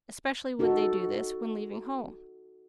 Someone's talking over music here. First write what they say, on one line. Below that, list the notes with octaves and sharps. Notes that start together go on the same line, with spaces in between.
Especially would they do this, when leaving home.
D#4 F#4 A4